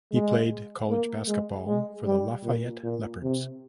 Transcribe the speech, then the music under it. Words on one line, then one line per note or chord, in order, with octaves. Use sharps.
He played college basketball for the Lafayette Leopards.
G#3
A#3
G#3
G#3
G3
A#2
A#2
C3